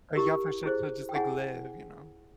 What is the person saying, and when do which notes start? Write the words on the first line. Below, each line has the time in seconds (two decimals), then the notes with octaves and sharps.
Uh, yeah, for sure to just like live, you know.
0.16 E4 G4 A#4
0.64 E4 G#4 C5
1.09 G5
1.14 E4 G#4 C#5 F#5 G#5